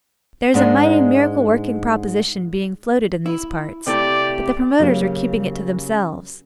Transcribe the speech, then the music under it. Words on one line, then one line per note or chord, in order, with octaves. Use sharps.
There is a mighty miracle-working proposition being floated in these parts, but the promoters are keeping it to themselves.
G#2 G#3 D4 D#4
E4
C3 A3 E4 G4 D5
C#3 F#3 A#3 C#4 G4